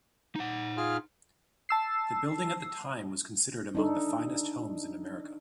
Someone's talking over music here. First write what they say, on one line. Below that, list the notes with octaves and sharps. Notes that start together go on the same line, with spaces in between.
The building at the time was considered among the finest homes in America.
D#4 F#5
F4 G#4 F6
A5 E6 C7
D4 D#4 A4